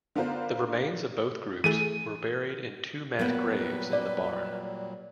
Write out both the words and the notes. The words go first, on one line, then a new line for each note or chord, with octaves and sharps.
The remains of both groups were buried in two mass graves in the barn.
D3 B3 D4 F4 A#4 C5
E3 A3 G#4 D#7
A#2 F#3 G3 A#3 B3 B4
D5